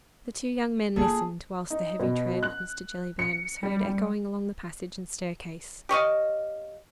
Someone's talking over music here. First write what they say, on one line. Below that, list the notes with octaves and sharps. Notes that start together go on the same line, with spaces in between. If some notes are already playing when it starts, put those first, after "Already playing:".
The two young men listened, whilst the heavy tread of Mr. Jellyband was heard echoing along the passage and staircase.
A#3 F4 G#4 A4
D#4
B2
F#6
C#7
G3
G3
G4 C#5 D#5 F5